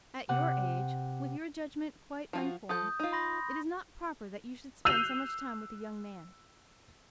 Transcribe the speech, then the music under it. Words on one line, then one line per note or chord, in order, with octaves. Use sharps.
At your age, with your judgment quite unformed, it is not proper that you should spend so much time with a young man.
C3 F#5
F3 F4 F#4
F3 A4 D#6 G6
D#4 F4
B5 C6 A#6
E6 F#6 G6 C7 D#7 F7